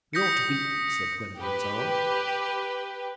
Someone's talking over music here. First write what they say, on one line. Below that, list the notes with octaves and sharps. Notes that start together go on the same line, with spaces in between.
"We ought to beat them," said Gwendolen's aunt.
D#6 G6 A#6 B6 C#7
G4 B4